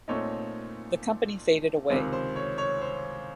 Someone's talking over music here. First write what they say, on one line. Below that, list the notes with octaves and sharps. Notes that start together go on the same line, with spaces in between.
The company faded away.
A#2 A3 C4 D#4 C#5
C#2 C3 D#3 C5
C5
C#5
C#5
C5